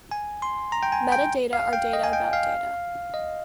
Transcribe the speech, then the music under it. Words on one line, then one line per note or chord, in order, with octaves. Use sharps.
Metadata are data about data.
G#5
C6
A#5
G5
G#5
G5
F5
G5
D#5
G#5
G5
F5
D#5